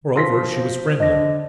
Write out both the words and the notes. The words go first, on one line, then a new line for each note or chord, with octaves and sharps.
Moreover, she was friendly.
F3 C6 A#6 B6
C5
D3 D#5 A#6